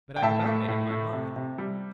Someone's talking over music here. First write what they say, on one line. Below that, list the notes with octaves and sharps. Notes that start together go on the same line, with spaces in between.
But I've about made up my mind.
G5
A2 E5 A5
A3
A2
A3
C3
C3
G3